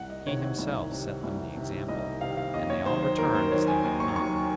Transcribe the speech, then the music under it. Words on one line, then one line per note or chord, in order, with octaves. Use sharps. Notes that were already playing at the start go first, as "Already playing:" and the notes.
He himself set them the example, and they all returned as they had come.
Already playing: C2 F#5
D#5
C3 D#3 C#5
C#5
C2
C3 D#3
C2
C3 D#3
C2 D#5
C3 D#3 F5
F5
D#2 D#5
C#5
D#3 F#3 C5
C5
D#2 A#4
C5
D#3 F#3 C#5
G#5
D#2
C#6
D#3 F#3 C#6